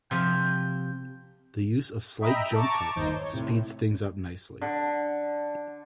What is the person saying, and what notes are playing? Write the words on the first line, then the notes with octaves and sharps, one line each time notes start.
The use of slight jump cuts speeds things up nicely.
C3 F3 G5
D#5 E5 G5 A#5 B5
A5 A#5 C#6 D6
G1 D#2 D#4 C5 G6
C#5
A2 C3
D3